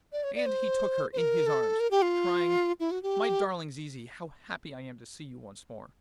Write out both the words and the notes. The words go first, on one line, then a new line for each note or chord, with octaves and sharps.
And he took her in his arms, crying: 'My darling Zizi, how happy I am to see you once more!'
D5
C#5
D5
C5
C5
A#4
A4
A#4
G4
F4
E4
F#4
G4